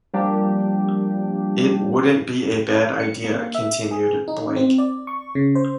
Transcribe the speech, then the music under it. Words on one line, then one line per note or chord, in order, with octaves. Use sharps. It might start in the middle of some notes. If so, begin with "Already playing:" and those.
"It wouldn't be a bad idea," continued Blake.
F3 G3 A#3 D4 G4
C#7
A#3
E5
G#4
D#4
C4
D5
C#6
C#3
C5